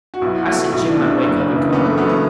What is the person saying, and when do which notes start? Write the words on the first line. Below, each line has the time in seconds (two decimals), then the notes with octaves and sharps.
I said Jim might wake up and come.
0.14 F#4
0.21 B1 E4
0.38 F#4
0.47 B2 A3
0.72 B1 E4
0.89 D4
0.97 B2 A3
1.06 D4
1.22 F#1
1.47 F#2 C#3 E3
1.72 F#1 B3
1.85 A3
1.97 F#2 C#3 E3 B3
2.09 C#4